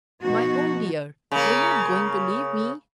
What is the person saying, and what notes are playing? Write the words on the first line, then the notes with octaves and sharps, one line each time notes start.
"My own dear, you're not going to leave me!"
B2 F3 D#4 F#4
C#3 A#3